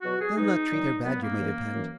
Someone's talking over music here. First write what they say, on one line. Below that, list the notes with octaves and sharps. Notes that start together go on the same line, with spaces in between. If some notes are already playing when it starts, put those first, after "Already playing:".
They'll not treat her bad, yer may depend.
E2 B2 F#3 F#4
G#4
E2 B2 F#3 D#4
A#2 F#3
A#2 F#3 B3
A#3
F#2 E3
F#2 E3